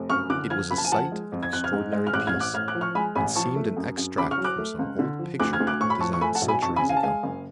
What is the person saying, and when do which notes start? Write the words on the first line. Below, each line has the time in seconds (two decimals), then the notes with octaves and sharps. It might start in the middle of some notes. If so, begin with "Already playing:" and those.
It was a sight of extraordinary peace, and seemed an extract from some old picture-book designed centuries ago.
Already playing: F1
0.10 F#2 C#6 F6
0.30 D3 D6 F#6
0.50 F3 F6 G#6
0.71 F#1 B5
0.78 A5
0.85 G#5
0.92 F3 F#5 A5
1.12 G#3
1.32 F2
1.43 G#6
1.52 F2 F#6
1.64 F6 G#6
1.73 G#2
1.93 G#3
2.07 F6
2.13 A1 D6 F#6
2.27 F6 G#6
2.34 A1
2.40 D6 F#6
2.54 A2 F6 G#6
2.68 D6 F#6
2.75 F3
2.81 C#6 F6
2.95 G#3 G#5 B5
3.15 A1 G#5 B5
3.35 F3 A5 C#6
3.56 A3
3.77 F#2
3.98 F#2
4.18 C#3 B5 D6
4.31 C#6 F6
4.38 F#3
4.44 D6 F#6
4.58 A3
4.79 C#2
4.99 D3
5.19 F3
5.40 D2 D6 F#6
5.53 F6 G#6
5.60 D2
5.67 D6 F#6
5.81 A2 C#6
5.90 B5
6.00 F3 A5 C#6
6.13 C#6
6.21 A3 G#5 B5
6.35 F#5 A5
6.42 B1
6.48 G#5 B5
6.62 F2 A5 C#6
6.76 G#5 B5
6.82 C#3
6.89 F5 G#5
6.97 A5
7.03 G#3 F5 G#5
7.23 F#1